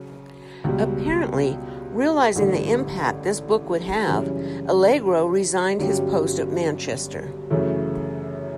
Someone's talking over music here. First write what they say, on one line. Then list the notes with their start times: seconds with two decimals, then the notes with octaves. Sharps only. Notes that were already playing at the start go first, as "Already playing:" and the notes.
Apparently realising the impact this book would have, Allegro resigned his post at Manchester.
Already playing: C#3 F#3
0.64 C#2 B2 G3
2.36 A1 G2 D3 G3 D4
4.07 F#2 C#3 E3 G3 C#4
5.79 G1 G2 F#3 C#4 G4
7.50 F#2 C#3 E3 A3